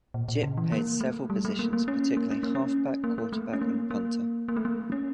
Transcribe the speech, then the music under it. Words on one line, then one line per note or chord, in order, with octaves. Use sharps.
Gipp played several positions, particularly halfback, quarterback, and punter.
A#2
A#2
C#3
E3
A#3
A3
G3
A3
A#3
A#3
C#4
A#3
C#4
A#3
C#4
A#3
A#3
A3
C#4
A#3
A#3
A#3
A3
A#3
C#4